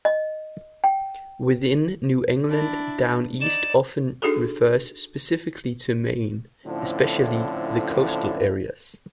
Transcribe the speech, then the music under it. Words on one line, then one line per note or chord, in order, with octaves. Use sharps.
Within New England, "Down East" often refers specifically to Maine, especially the coastal areas.
D#5
G5
D4 E4
D#4 D5 E7
D4 D#4 F#4 G#4 A4
A2 D3 F3 C4 C#4 E4